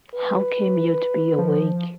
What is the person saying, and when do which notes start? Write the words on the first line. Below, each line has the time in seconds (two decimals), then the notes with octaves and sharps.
How came you to be awake?
0.14 B4
1.39 F3